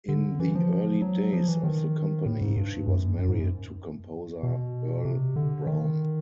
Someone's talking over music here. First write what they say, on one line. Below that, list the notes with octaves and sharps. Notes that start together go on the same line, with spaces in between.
In the early days of the company, she was married to composer Earle Brown.
D3
E3
F3
F#3
F3
E3
D#3
A2
G#2
G2
F#2
F#2
G#2
F#2
B2
C3
D3
D#3